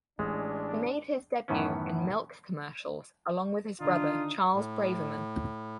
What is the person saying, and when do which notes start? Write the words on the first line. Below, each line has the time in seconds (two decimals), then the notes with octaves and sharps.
He made his debut in milk commercials along with his brother Charles Braverman.
0.19 A1 G#3 D4
1.48 F#2 A2 D#3 E3 B3 C#4
3.81 D3 D#3 D4 D#4 F4
4.54 A2